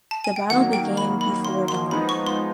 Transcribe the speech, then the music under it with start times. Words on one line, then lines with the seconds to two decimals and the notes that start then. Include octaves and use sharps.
The battle began before dawn.
0.11 A5
0.24 G#5
0.36 G5
0.50 D#3 F#3 A#3 F#5
0.73 G5
0.97 B5
1.21 B5
1.45 C6
1.68 C6
1.91 F3 G#3 B3 D#4 B5
2.09 C#6
2.26 C6